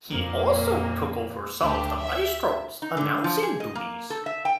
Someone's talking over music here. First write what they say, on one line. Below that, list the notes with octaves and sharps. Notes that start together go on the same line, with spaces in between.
He also took over some of the maestro's announcing duties.
F2 A#2 A#3
D2 A3 D4 G4
E5
D#4
D3
F3
G#4
D#5
A#3
A4
E5
G5